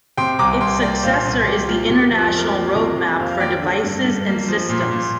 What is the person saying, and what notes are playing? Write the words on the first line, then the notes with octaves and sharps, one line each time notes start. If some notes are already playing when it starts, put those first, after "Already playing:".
Its successor is the International Roadmap for Devices and Systems.
C3 G5 C6
C2 A#5 D6
C2 G5 C6
A#3 D5 G5
A#2 C5 F5
C2
C2 G4
A#3 F4
F4
C3 G4
F2
F4
F2 A#4
G4
A#3
C3 F4 A#4
F2 G4
F2 C5 F5
F5
A#3 D5 G5
D3
G2
G2
A#3
F3
A#2
A#2